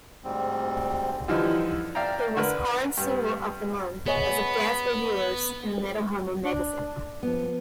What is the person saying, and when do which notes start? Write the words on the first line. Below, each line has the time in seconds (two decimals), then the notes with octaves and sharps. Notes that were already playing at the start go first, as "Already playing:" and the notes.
It was Korn's "Single of The Month" as guest reviewers in Metal Hammer magazine.
0.24 D2 G#2 G3 C4
1.28 D3 E3 F3 G3 D#4
1.95 D5 E5 F5 G5 A#5
2.37 D3 A#4 B4
2.97 G2 B3
4.06 B3 G#4 C#5 D#5
6.45 D4
7.23 F3 B3